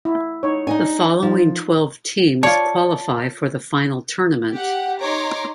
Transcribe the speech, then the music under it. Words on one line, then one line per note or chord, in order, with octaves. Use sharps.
The following twelve teams qualify for the final tournament.
E4
D#4 C#5
D4 D#4 D#5 G#5
F3 D#4
F4 C#5 D5 A5
G4 F#5
D#4 C#5 A#5 C6 D6